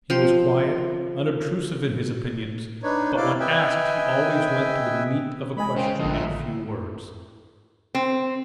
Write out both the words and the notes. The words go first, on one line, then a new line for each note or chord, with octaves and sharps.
He was quiet, unobtrusive in his opinions, but when asked he always went to the meat of a question in a few words.
F3 G5 C6
D4 D#4 B4 C#5
E4 D5 F5
B4 D#5 E5 G5 G#5
G#3 D#5 G#5 B5
C#3 C5 G5
A1 D#2 D3 F3 A4 D#5
E5
C4